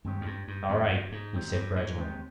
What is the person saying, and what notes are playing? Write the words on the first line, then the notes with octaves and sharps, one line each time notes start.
"All right," he said grudgingly.
G2 D#3 G#3 C4 G4 C#5
F2
G2
G2
F2 D#3 G#3 C4 G4 C#5
G2
G#2
D#3 G#3 C4 G4 C#5
G2
G#2
D#3 G#3 C4 G4 C#5